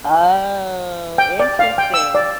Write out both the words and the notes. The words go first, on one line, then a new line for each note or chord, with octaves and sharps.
Oh, interesting.
G5
D5
F5
G5
E6
D5